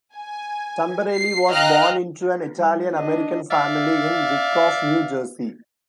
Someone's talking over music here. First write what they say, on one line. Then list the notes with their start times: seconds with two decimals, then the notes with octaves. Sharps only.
Tamberelli was born into an Italian American family in Wyckoff, New Jersey.
0.15 G#5
1.10 C7
1.49 D#5 F5 G5 A#5 F6 F#6
2.56 G3
2.94 D4 D#5
3.51 D5 E5 F5